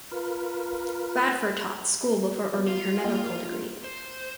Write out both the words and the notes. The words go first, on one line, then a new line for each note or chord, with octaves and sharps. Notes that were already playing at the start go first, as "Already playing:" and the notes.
Bradford taught school before earning her medical degree.
F4 A#4 B4
F#3 B3
F4
A#3 D#5 G5 C6
A#4
C5